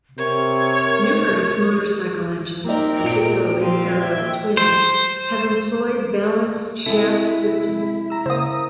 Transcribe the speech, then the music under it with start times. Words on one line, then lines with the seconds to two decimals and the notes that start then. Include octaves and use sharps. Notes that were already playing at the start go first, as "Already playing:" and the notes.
Numerous motorcycle engines, particularly parallel twins, have employed balance shaft systems.
0.18 C3 A#4 C#5
2.64 A#3 C4 D#4 G4 A#4
3.03 A#2 D7
3.60 F3 C4 F4
3.99 E5 G5 G#6
4.57 C5
6.86 C3 G#3 E4 A4
8.10 A#5 E6
8.26 C#3 A#3 C5 D#6